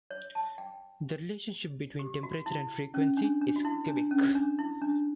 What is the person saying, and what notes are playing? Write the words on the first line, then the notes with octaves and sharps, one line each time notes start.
The relationship between temperature and frequency is cubic.
C#5
A5
G5
G4
F#4
E4
C#4
D4
D4
F#4
E4
D4
C#4
D4
E4
D4